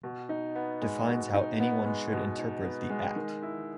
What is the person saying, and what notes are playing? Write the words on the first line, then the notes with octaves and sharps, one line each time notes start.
Defines how anyone should interpret the Act.
B2
D#4
B3
G#3
B2
D#4
B3
G#3
B2
D#4
B3
G#3
D#3
E4